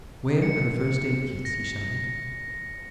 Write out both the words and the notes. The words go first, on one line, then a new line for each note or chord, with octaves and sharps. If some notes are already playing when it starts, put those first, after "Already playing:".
"Where are the first-aid kits?" he shouted.
C#7
A#6